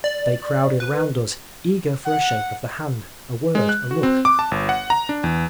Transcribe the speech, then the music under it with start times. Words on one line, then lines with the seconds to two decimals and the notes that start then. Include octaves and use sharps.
They crowded round us, eager for a shake of the hand, a word, a look.
0.04 D5
0.80 B4
2.06 F#5
3.55 G#3
3.69 F#6
3.91 F#4
4.03 C4
4.25 D6
4.39 A5
4.51 G1
4.69 F#5
4.90 A#5
5.09 D4
5.24 E2